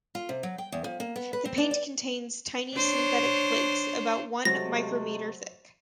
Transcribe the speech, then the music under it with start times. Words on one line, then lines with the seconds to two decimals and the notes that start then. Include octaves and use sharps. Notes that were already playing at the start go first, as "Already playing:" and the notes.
The paint contains tiny synthetic flakes about one micrometre thick.
0.15 F4
0.29 C3
0.43 F#3
0.58 G5
0.72 E2
0.84 F3
1.00 A#3
1.16 B3
1.33 B4
1.45 C4
1.58 D4
1.71 D5
2.74 D4 C5 C#5
4.45 C3 F#3 G#3 A3 C5 A6 A#6